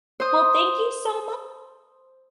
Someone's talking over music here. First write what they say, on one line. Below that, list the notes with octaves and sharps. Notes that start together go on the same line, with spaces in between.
Well, thank you so
C5 D#6